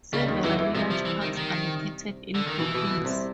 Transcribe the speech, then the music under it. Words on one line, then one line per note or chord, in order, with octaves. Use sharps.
Several large parks are located in Brookings.
C#2 C#3 G3
D#2 D#3
E2 E3 F#3
E2 E3
C2 C3 F3
F3
E3
D#3
D#3
D3
D#3
B2 E3
B2
B2
C2 C3